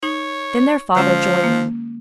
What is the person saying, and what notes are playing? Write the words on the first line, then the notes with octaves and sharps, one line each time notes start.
Then their father joined them.
D#4 C#5
D3 F3 G#3 C#4
A#3